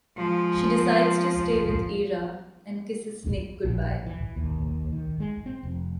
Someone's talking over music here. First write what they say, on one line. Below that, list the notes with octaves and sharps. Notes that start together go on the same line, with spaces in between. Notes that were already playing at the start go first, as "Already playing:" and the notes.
She decides to stay with Ira and kisses Nick good-bye.
F3 G#3
A#1
E3
D#2
D#3
G#3
C4
F1